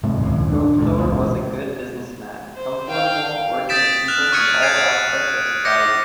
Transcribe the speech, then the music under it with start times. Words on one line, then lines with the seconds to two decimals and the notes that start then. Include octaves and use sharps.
Proctor was a good businessman, comfortable working with people from all aspects of society.
0.03 G#2 C3 G3 G#3
0.21 D#1 C#2 F#2 A2
0.50 D4
0.78 C#2 G2 A#2
0.97 E1 C#2 C#3
2.56 C5
2.89 F5 G5
3.69 D#6 G6 A6 B6 D7 E7
4.08 F6 F#6 E7 F7
4.32 C#6 D#6 F6 G#6 C#7 D#7
4.62 G6 G#6 C7 D7 D#7 F7
5.65 D6 G6 A#6 C#7